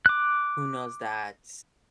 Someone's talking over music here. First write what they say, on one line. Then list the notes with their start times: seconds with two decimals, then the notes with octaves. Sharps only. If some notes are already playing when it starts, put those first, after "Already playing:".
who knows that
0.06 D6 F#6